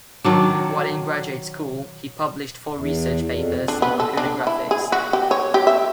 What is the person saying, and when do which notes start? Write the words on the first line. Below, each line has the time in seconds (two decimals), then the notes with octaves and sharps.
While in graduate school he published four research papers in computer graphics.
0.24 D#3 F#3 D4
2.73 E2
3.32 F2
3.68 D4
3.82 B3
4.00 A4
4.17 D4
4.47 E4
4.71 G#4
4.92 F#4
5.13 G4
5.31 C#5
5.54 G4
5.67 E5